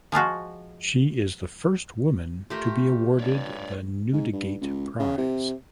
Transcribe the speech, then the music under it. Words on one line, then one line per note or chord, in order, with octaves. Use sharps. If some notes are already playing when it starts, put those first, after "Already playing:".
She is the first woman to be awarded the Newdigate prize.
F3 G#3 F4 F#4
A3 F4 G4 A#4
G2 C#5 D5
G#2
G2
C#2
C#3
C3